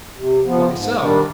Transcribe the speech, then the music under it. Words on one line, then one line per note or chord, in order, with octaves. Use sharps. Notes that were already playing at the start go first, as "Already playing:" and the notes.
"Why so?"
C3
F3 B3
G#2
D#3 G3 D4